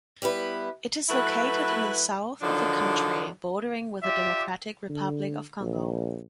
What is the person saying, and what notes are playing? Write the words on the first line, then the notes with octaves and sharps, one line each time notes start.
It is located in the south of the country, bordering with the Democratic Republic of Congo.
G3 B3 E4 B4
F#3 A3 E4 B4
D3 D#3 F3 F#3 D4 D#4
F4 G4 D5 E5
D3
A#1